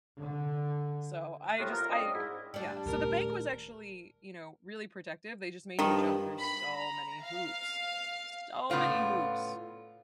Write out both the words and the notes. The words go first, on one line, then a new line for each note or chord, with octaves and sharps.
So I just I Yeah, so the bank was actually, you know, really protective, they just made you jump through so many hoops. So many hoops.
D3
A2 C3 A3 B3 F4 F#4
F4 A#4
F#2 C4 D4 D#5
G#2 E4
G3 D4
D#1 A3 A#4
G2 D#3 F3
B5
A#5
F5
A2 C#3 B3 F4 D5